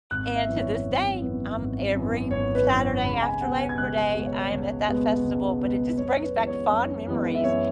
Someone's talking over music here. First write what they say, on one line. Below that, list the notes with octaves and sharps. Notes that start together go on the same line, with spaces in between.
And to this day, I'm every Saturday after Labor Day, I am at that festival, but it just brings back fond memories.
G#1 F#6
E5
F#2 E3 B3
C#5
G#1
F#2 E3 B3
G#1
F#2 E3 B3
G#1 C#5
B4
F#2 E3 B3 B4
C#5
C#2 B5
G#5
B2 G#3 B3 F#5
G#5
G#6
C#2 F#6
B2 G#3 B3
C#5
C#2
B2 G#3 B3
C#2
B2 G#3 B3
F#2 C#5
B4
E3 G#3 B3
C#5
F#2
E3 G#3 B3
E5
F#2 C#5